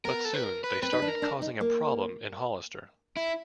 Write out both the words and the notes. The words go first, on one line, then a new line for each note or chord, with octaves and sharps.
But soon, they started causing a problem in Hollister.
B3 A#4
A4
B4
A#4
B4
C4 B4
D#4
D4
A#4
D4
D#4
A#3
E4